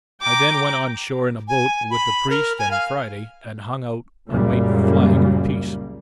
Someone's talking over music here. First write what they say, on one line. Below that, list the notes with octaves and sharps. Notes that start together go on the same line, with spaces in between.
I then went on shore in a boat, with the priest and Friday, and hung out a white flag of peace.
G5 A#5 D6
G#5
B5
A#4
G#5
F5
C#2 F#2 A#2 C#3 G3 A#3